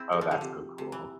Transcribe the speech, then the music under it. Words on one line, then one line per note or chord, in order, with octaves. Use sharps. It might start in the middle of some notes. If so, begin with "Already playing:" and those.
Oh, that's so cool.
Already playing: C4 E4 G#4
G#3
F3
D3
C3
C3
E3